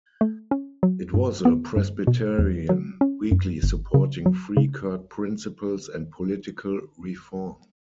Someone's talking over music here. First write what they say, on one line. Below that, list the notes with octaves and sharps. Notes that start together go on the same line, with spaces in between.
It was a Presbyterian weekly supporting Free Kirk principles and political reform.
A3
C#4
F#3
G2
B3
G2
B2
E2
F#3
C#4
F#2
G1
C#3
F#3
C#3